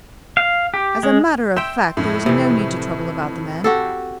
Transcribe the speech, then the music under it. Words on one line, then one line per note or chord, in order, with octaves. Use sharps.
As a matter of fact, there is no need to trouble about the man.
F5
G4
G#3
E5 G5 C6 G6 E7
F2 A2
C3 E3
F#4 G4 A4